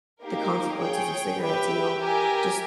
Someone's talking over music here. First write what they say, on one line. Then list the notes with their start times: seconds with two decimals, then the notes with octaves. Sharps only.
the consequences of cigarettes, you know, just
0.22 A#3 D#4 G4 A#4
0.81 G#4 C#5 G5
1.41 G4 B4 E5 G5
2.00 G4 A#4 E5 G#5